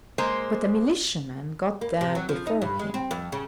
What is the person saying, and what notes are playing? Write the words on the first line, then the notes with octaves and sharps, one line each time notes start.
But a militiaman got there before him.
G#3 A#3 C5
A#3
C3
F#3
F3
D#4
G2
G#3
C4
F2
C#3